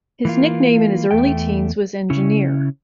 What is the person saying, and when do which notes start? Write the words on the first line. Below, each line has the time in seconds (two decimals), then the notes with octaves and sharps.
His nickname in his early teens was "Engineer".
0.25 E3 A#3 F4
1.11 E2 A3 G5
2.10 C#3 C#4 E4